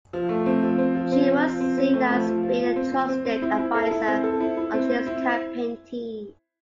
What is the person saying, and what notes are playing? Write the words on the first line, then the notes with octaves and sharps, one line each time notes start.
She was seen as being a trusted advisor on his campaign team.
F3
A3
C4
F3
C4
F3
C4
C4
F3
C4
C4
A3
F3
F3
F3
F3
C4
C4
C4
C4
E4
E4
A4
E4
C4
A4
E4
E4
C4
C4
E4